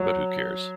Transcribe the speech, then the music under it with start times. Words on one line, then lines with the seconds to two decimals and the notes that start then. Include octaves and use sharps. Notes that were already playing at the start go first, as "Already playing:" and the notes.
But who cares?
Already playing: F#3